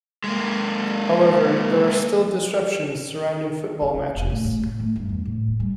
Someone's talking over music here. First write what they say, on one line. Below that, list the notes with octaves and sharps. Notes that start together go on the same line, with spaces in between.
However, there are still disruptions surrounding football matches.
G#3 A#3
D#4
E4
F1
A2
A3
A2
A3
G2
E2
A2
G#3
G3